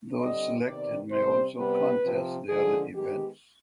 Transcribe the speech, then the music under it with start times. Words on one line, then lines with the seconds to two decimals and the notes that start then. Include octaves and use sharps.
Those selected may also contest the other events.
0.20 D3 G3 C4 D#5
0.65 C3 D#3 B3 D5
1.11 C3 G3 C4 C5
1.57 C3 G3 B3 B4
2.03 C3 F3 C4
2.49 D3 F3 G#3 G#4
2.94 D#3 G#3 B3 G4